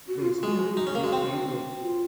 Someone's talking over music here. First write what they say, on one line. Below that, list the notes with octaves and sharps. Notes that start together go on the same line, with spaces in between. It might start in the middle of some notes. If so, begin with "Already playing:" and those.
They soon disbanded.
F#4
F4
F#4
G#3
D#4 F#4
C#4
A#3
G#3
C4
F4